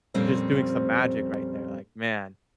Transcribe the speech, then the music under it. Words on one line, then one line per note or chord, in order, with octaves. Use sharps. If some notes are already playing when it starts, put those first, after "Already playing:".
just doing some magic right there, like, man.
F2 A#2 G3 C4 C#4